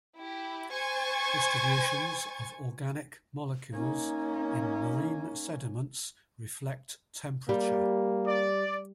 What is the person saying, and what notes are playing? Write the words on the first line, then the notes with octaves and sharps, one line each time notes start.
Distributions of organic molecules in marine sediments reflect temperature.
E4 G4
C5 G#5 C#6 G#6 A6
A#3 C#4 D#4
G3 A#3
D5